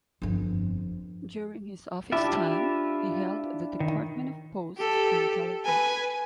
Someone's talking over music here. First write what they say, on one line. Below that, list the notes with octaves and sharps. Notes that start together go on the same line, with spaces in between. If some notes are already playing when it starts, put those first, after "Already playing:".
During his office time he held the Department of Posts and Telegraph.
G1 F2
D4 E4 F4 G4 E5
D#3
G4 A4
B4 G#5